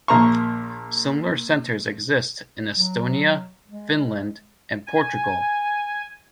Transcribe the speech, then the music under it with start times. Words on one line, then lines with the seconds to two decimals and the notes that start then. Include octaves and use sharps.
Similar centers exist in Estonia, Finland, and Portugal.
0.08 A#1 A#3 A#5 C6 C#6
2.73 F#3
3.68 G#3
4.87 G#5